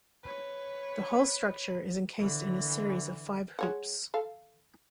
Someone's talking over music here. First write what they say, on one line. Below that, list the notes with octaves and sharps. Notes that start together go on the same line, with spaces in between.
The whole structure is encased in a series of five hoops.
B4 C#5
D3 E3
G#3 C#5 F#5
A4 F5